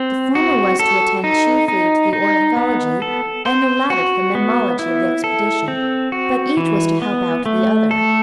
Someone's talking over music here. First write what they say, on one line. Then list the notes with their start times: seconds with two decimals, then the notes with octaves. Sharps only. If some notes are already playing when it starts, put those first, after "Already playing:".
The former was to attend chiefly to the ornithology and the latter to the mammalogy of the expedition; but each was to help out the other.
Already playing: C4
0.35 F#4
0.79 A4
1.24 D#4
1.68 D#4
2.13 D#4
2.57 B3
3.02 A4
3.46 C5
3.90 F#4
4.35 B3
4.79 E4
5.24 A4
5.68 C4
6.12 F#4
6.57 E3
7.02 B3
7.46 A3
7.91 A4